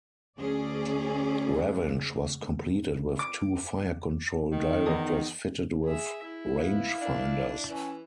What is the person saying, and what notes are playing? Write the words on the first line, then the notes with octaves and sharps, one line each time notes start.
"Revenge" was completed with two fire-control directors fitted with rangefinders.
D2 C#4 G#4 D5
D6
D#3
E2 D#4 D#6
G#4 E5
E4
B3 F5
D4
E3 C#4